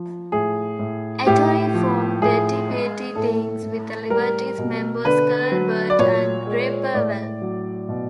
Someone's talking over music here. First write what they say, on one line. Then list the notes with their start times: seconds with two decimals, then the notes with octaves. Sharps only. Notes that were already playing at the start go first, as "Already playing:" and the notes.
Anthony formed Dirty Pretty Things with Libertines members Carl Barat and Gary Powell.
Already playing: F3
0.32 A2 G#4
0.79 A2
1.27 A2 G4
1.74 F3
2.22 A2 G#4
2.69 G#3
3.15 A2 A4
3.63 A2
4.10 G3 A#4
4.58 B2
5.05 D3 B4
5.52 F#3
5.90 D5
5.99 A#2 C#5
6.47 G#3
6.94 A2 D5
7.42 F#3
7.89 B2